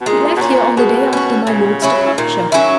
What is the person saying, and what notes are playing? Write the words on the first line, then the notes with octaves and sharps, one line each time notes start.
"She left here on the day after my lord's departure."
B2
A#2 G#3
B2
A#2 C#4 F#4
B2 G#3
C#4 F#4
A#2 C#3
F#3 C#4 E4
C#3
A#2 D#3
F#3 C#4 E4